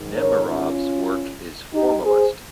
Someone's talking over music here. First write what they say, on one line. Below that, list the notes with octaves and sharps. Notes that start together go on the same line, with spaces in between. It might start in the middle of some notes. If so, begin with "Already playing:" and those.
Nemerov's work is formalist.
Already playing: G#2 D#3
A#4 C#5
C#4 F4
D#4 G4
G#4 C5